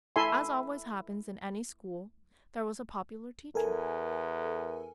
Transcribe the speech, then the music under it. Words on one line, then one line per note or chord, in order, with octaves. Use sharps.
As always happens in any school there was a popular teacher.
E4 A4 E5 G#5 B5 C6
E2 A4 A#4 G#5